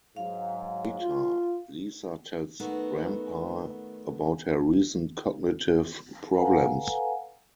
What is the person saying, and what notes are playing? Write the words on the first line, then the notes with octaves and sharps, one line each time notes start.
Later, Lisa tells Grampa about her recent cognitive problems.
G#2 F#3 F5
F4
D#3 A3 B3 F#4
A4 B4 F5 F#5 G#5 A#5